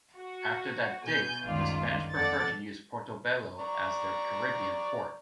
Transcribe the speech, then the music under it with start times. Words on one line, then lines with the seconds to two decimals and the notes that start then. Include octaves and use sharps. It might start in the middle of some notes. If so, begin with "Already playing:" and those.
After that date the Spanish preferred to use Portobelo as their Caribbean port.
0.17 F#4
1.05 B2 G#5 G6
1.45 G1 C#2 F#2 D#3 F4 D5
2.13 F2 A4 D5 F#5 A6
3.59 D5 A#5 C#6